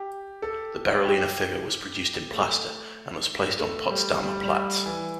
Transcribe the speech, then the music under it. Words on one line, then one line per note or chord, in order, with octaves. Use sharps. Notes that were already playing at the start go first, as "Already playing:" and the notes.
The Berolina figure was produced in plaster and was placed on Potsdamer Platz.
Already playing: G4
A4
G4
A3
A3
G3
G3
G3
E3